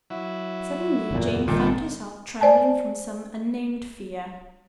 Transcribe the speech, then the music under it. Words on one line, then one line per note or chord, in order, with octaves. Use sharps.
Suddenly Jane found herself trembling from some unnamed fear.
F#3 E4
F#1 E2 A#2
G1 A#2 D#3 A4 G5
C5 D5 G#5 A5